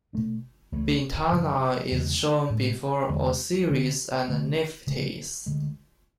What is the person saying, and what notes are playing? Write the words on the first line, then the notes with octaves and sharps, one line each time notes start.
Bintanath is shown before Osiris and Nephtys.
B2 A3 D4
C#2 C#3 E3 A3
F#2 C#3 F#3
E2 C#3 G#3
A2 G#3 C#4
E2 D3 G#3
D2 D3 G#3 C#4
D2 D3 A3
D2 C#3 G#3
D2 D3 G#3